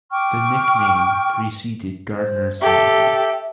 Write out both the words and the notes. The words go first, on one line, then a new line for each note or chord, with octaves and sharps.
The nickname preceded Gardner's novel.
G5 C#6 D6 F6
C5
G4 A4 E5